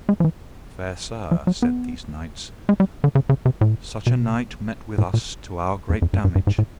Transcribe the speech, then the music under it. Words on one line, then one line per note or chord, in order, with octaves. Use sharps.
Fair sir, said these knights, such a knight met with us to our great damage.
G#3
F3
E3
F3
F#3
B3
G#3
G3
D3
C#3
C#3
C3
A2
B2
A2
A#2
F2
F2
G2
G2
G2
G#2
A2